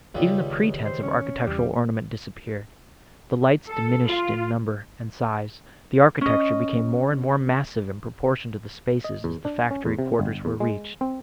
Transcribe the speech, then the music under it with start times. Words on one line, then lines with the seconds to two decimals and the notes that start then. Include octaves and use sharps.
Even the pretence of architectural ornament disappeared, the lights diminished in number and size, the architecture became more and more massive in proportion to the spaces as the factory quarters were reached.
0.15 C#2 D#3 G3
0.86 C5
1.02 C#4
1.47 E2 C#3 G3
3.67 A4
4.06 F4
6.21 C#4 D#5
9.04 D#5
9.24 E2
9.45 D4
9.71 C#4
9.85 E2
9.99 C3
10.19 G1
10.45 E2
10.60 G#3
11.01 C4